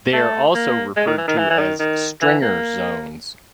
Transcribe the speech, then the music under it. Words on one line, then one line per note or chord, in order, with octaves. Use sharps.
They are also referred to as "stringer zones".
A3
A#3
G#3
D#3
E3
D#3
E3
E3
D#3
D#3
E3
A#3